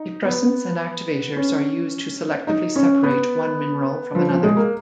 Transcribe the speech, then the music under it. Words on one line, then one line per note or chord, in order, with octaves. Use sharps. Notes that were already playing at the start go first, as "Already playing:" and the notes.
Depressants and activators are used to selectively separate one mineral from another.
Already playing: D#4
B3
C#4
D#4
C#4
B3
F3
F3
G#3
A#3